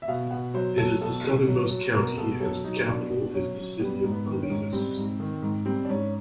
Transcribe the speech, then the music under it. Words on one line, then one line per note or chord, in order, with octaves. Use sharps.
It is the southernmost county, and its capital is the city of Alytus.
E5
B2 F5
B2 F#5
F#3 C5
F#3 A4
B2 A4
B2
F#3
F#3
B2 A#4
B2 A4
F#3 A4
F#3 D#4
B2 D4
B2
F#3 C#4
F#3
G3 B3
G#2
B3
D#3
C#4
G#2
G3 C4
G#2
D#3
G#2
G3 C4
D4
G#2 C#4